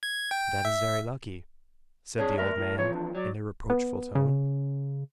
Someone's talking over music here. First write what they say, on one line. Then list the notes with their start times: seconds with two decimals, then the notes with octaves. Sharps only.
"That is very lucky," said the old man, in a reproachful tone.
0.03 G#6
0.31 G5
0.65 E5
2.18 D4 G#4 C#5
2.38 A3 A#4 D5 E5
2.57 A2
2.78 E2 F3 C#5
2.93 D4
3.15 F#3 D5
3.70 B3
4.15 C#3